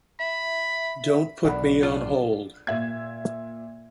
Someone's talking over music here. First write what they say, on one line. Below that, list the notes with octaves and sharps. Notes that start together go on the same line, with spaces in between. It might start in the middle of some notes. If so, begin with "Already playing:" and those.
Don't put me on hold.
E5 B5
B1 D4 F#5 B5
D4 F4 G#4
A#2 E5 G#6